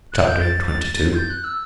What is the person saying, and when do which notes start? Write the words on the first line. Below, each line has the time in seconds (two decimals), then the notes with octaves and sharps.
Chapter XXII.
0.12 F#6
0.26 G6
0.41 A6
0.99 A6
1.15 G6
1.30 F#6
1.44 E6